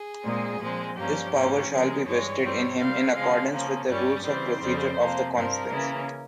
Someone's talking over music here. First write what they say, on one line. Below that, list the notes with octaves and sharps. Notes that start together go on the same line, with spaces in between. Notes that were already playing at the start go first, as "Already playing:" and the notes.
This power shall be vested in him in accordance with the rules of procedure of the Conference.
Already playing: G#4
A#2 G#3 C4
A#2 F3 G#3 C4
G2 F3 A#3 C#4 G4
G#2 E3 A#3 C#4
C#3 F3 G#3 A#4
G2 E3 G#3 C#5
G2 G3 C4
C3 G3 C4 F5
C#3 F3 G#3 F5
C#3 F3 A#3 C#4
G2 G3 C#4 C#5
C#3 E3 G3 C4 C5
F2 C#3 G3 C4
C3 F3 A#3
G2 F3 C4 A#4
C#3 E3 A#3 C#4